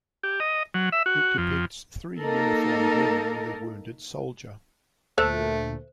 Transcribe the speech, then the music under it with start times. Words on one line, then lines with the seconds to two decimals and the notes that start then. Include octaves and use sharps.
It depicts three uniformed women with a wounded soldier.
0.23 G4
0.40 D#5
0.74 F#3
0.92 E5
1.06 F#4
1.38 F2
2.20 A#3 D#4 A4 A#4
5.18 D2 A#2 A3 A4 C5 E5